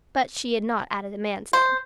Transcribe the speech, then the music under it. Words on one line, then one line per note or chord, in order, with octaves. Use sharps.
But she had not added the man's name.
C5